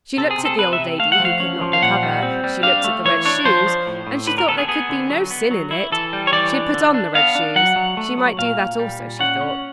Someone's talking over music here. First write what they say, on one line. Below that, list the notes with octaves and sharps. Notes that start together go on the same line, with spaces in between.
She looked at the old lady, who could not recover, she looked at the red shoes, and she thought there could be no sin in it; she put on the red shoes, she might do that also, she thought.
C3 A4
G#4
C3
A4
C3 B4
E5
C3
A3 F5
F#5
F3
F5
C#4
F3
F5
A#2 F#5
G3
C4
G3
D4 F5
A3
E3 C#5
D4 C#5
F3 C5
F3
A2
A2
D3 B4
A#4
B3 A4
G#4
B3 G#4
D3
F#3
B3
F#3
E4
E3 A4
G3
C#5
E3 D5
D4
D3
D4
B3 F5
D4
F#3 F#5
F#3
A3
F#3
A#2 F5
A#2
G3
A#2
C#4 F#5
C#4